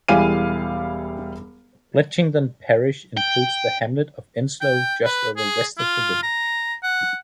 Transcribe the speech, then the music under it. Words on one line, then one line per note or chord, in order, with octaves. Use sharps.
Bletchingdon parish includes the hamlet of Enslow just over west of the village.
E1 G3 E4 F5 G#5 D#7
G5
G5
B4
G#4
F4
A#5
F#5